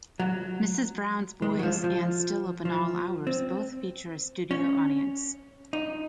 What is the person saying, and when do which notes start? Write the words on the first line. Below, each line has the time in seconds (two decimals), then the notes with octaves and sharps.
"Mrs Brown's Boys" and "Still Open All Hours" both feature a studio audience.
0.20 F#3
1.42 G#3
1.59 F#3
1.63 F3
1.84 F3
2.65 F3
3.27 C4
4.51 C#4
5.73 D#4